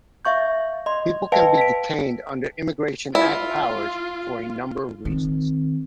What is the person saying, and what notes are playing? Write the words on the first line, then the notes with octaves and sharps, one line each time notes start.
People can be detained under Immigration Act powers for a number of reasons.
E5 F5 C#6 G6
D#5 C6
B4 D#5 F5 G5 A5
B6 D7
E4 F4
D#3 C4